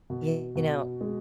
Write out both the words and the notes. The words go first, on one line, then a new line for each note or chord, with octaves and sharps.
you know
B2
B2
G#3